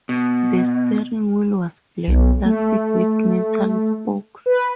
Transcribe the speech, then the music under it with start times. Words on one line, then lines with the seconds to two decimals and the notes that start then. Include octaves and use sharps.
The steering wheel was black plastic with metal spokes.
0.09 B2
2.07 B1
2.45 A3
4.46 B4